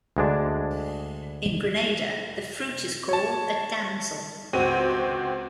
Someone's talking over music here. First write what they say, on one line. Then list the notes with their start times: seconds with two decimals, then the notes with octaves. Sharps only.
In Grenada, the fruit is called a damsel.
0.17 D2 G#3 D4
3.09 C#5 A5
4.53 C#2 C4 F#4 G4 C5 D#7